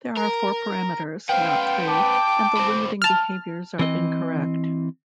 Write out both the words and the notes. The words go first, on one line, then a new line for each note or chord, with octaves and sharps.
There are four parameters, not three; and the limiting behaviors are incorrect.
A#4
B3 C5 F5 G5
A5 D6
A2 C4
A5 F6
E3 C4 D#5